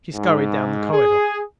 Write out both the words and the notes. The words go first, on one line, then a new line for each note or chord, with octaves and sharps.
She scurried down the corridor.
G#2
G#4